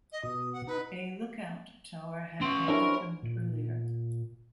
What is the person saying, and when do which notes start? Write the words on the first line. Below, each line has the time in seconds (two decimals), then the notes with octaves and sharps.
A lookout tower had been opened earlier.
0.12 D#5
0.23 B2 D#6
0.52 F#5
0.67 D#4 B4
2.41 C#4 F#4 C6
2.68 C3 C#4 D4 E4 A#4 B4 C#5
3.23 A#2